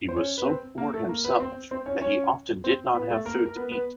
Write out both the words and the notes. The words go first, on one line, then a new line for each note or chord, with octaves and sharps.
He was so poor himself that he often did not have food to eat.
C5
C#4 C#5
B4
C4 C5
A#3 A#4
A3 A4
A#3 A#4
B3 B4
C4 C5
C4 C5
C#4 C#5
C#4 C#5
C4 C5
B3 B4
A3 A4
A#3 A#4
A#4
B3 B4
B3 B4